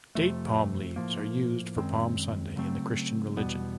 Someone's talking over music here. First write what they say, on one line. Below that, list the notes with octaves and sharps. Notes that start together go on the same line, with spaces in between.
Date palm leaves are used for Palm Sunday in the Christian religion.
F2 C3 F3 A3
A2 F3 A#3
F#2 D#3 G#3 C4
C#3 F#3 A3 C4
E2 B2 G3 B3